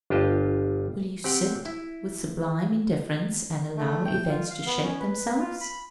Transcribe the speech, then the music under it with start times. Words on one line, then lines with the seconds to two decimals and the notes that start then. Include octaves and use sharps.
Will you sit with sublime indifference and allow events to shape themselves?
0.10 G1 D4 F4 G4 D#5 A5
1.24 C4 G4 F#5 G5
1.66 E4
3.77 A3
4.05 G5
4.28 F4
4.50 F5
4.66 B3
4.82 C#4
5.00 B4
5.39 F4
5.60 B5